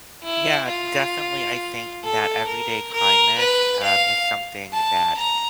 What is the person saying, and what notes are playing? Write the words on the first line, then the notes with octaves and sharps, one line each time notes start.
Yeah. Definitely, I think that everyday kindness, um, is something that,
E4
F4
A4
A#4
A#4
B4
F5
A5
A#5